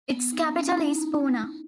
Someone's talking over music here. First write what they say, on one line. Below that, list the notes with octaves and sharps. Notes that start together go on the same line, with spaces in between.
Its capital is Puna.
B3
D#4
C#4
E4
D#4
D#4